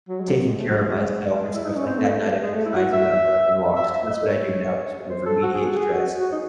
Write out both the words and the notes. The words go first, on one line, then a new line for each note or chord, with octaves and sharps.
taking care of myself and stuff like that, not exercising, not going on walks, 'cause that's what I do now to sort of remediate stress,
F#3
G#3
F#3
G#3
A3
F#3
G#3
G#3
E4
D#4
C#4
C4
A3
G#3
A3
E4
F#4
E5
E5
E5
D#5
C#5
C5
A4
F#4
G#4
F#4
G#4
F#4
F#4
D#4